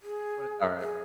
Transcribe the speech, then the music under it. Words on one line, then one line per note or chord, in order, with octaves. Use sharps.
But it's alright.
G#4
G#4